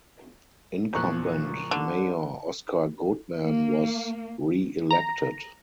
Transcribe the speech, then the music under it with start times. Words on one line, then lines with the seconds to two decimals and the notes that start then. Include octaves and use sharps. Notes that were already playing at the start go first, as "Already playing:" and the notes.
Incumbent Mayor Oscar Goodman was reelected.
0.93 E2 A#2 F3 A#5 C#6 F#6
1.71 D3
3.45 A#3
4.91 A#5